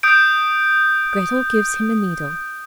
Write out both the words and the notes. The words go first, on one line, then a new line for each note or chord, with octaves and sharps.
Grettel gives him a needle.
D#6 G6 D7